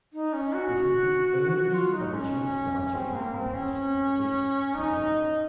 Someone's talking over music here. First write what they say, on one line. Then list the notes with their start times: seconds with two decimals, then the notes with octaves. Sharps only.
This is the only original Starchildren composition released to date.
0.13 D#4
0.33 C#4
0.53 F#4
1.74 F4
1.93 D#4
2.14 C#4
2.94 C4
3.14 A#3
3.35 C4
3.54 C#4
4.74 D#4